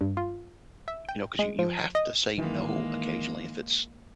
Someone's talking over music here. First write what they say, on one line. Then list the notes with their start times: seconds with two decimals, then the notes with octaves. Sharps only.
You know, 'cause you you have to say no occasionally if it's
0.01 G2
0.17 F4
0.88 E5
1.09 G5
1.39 G#3
1.59 F3
1.95 D#5
2.38 D#3 E3 G#3 A#3